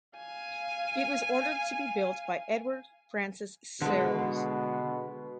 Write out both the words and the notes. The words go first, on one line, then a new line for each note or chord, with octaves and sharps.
It was ordered to be built by Edward Francis Searles.
F5 G#5
B2 D3 G#3